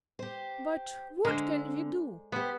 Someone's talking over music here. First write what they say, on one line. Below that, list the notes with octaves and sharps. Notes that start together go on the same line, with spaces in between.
But what can we do?
G4 C5
D3 G#3 A#4 C5
B3 G4 C5